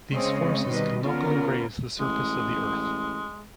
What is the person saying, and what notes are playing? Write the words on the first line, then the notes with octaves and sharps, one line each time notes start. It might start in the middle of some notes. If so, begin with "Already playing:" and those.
These forces can locally raise the surface of the earth.
C#3 G#3 C4 C#5 D#5
B2 D#3 G3 B4 D#5
D3 B3 C#4 F4 A#4
A1 G#3